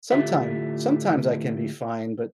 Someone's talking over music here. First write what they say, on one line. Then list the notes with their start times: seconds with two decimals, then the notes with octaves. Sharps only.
Sometime sometimes I can be fine but,
0.12 A2 D3 A3 F4 G4 E5